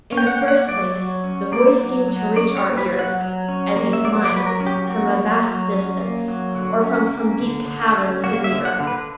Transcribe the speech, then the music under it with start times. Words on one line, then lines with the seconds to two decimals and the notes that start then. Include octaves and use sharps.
In the first place, the voice seemed to reach our ears--at least mine--from a vast distance, or from some deep cavern within the earth.
0.12 C#4
0.17 G5
0.27 F#5
0.41 A#3
0.48 F#5
0.69 F#3 D5
0.96 F#3
1.24 C#4
1.52 A#3 D5
1.80 F#3
2.08 F#3
2.36 C#4 D5
2.57 C#5
2.64 A#3
2.78 B4
2.93 F#3
2.99 F#5
3.20 F#3
3.48 C#4
3.76 A#3
3.93 E5
4.04 F#3 D5
4.25 D5
4.32 F#3 B4
4.46 A#4
4.60 C#4
4.66 G4
4.87 A#3 F#4
5.16 F#3
5.44 F#3
5.71 C#4
6.00 A#3
6.28 F#3
6.55 D3 F#4
6.83 C#4
7.11 A#3
7.40 D3
7.68 D3
7.95 C#4
8.24 A#3 F#4
8.44 E5
8.52 D3
8.65 F#5
8.80 D3
8.87 B4